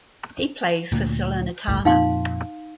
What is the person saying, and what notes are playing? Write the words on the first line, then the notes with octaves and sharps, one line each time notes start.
He plays for Salernitana.
D2 A#2
G1 C#2 A2
F2 A#2 D#4 F5 C6